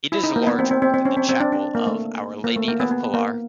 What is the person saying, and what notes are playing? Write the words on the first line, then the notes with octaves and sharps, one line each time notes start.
It is larger than the Chapel of Our Lady of Pilar.
E4
D#4
A#3
B3
C4
C4
C4
C4
C#4
C4
C4
D4
D4
A#3
A3
A#3
A3
A#3
B3
B3
A#3